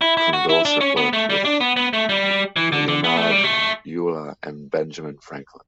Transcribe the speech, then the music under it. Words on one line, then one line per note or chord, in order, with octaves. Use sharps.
Condorcet worked with Leonhard Euler and Benjamin Franklin.
E4
E4
F#4
E4
D4
C#4
B3
A3
G3
D4
B3
B3
A3
G3
E3
D3
D3
B3
A3
G3
A3